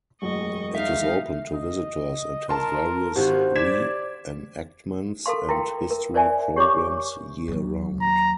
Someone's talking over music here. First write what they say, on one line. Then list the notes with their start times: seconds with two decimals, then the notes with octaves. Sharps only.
It is open to visitors and has various re-enactments and history programs year round.
0.22 E1 A1 F#2 D#5 C#6
0.75 D#4 E5 F5
1.54 D#5
2.49 A#4 A5 C6
3.16 G#1 D#3 F#4 G4 C5
3.55 D5 G#6 B6 E7
5.26 A4 A#4 F5 C6
5.49 E4 F4 A#4 G5
5.90 A#4
6.14 A#4 C5 D5 E5 G#5
6.56 G4 C#5 C#6 D6
7.48 D#2 F#3
8.02 A#5